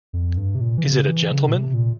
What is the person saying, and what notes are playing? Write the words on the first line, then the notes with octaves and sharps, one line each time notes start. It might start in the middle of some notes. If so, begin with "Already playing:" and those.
Is it a gentleman?
F2
G2
C3
A#2
E3
C#3
E3
C#3
A#2
C3
A#2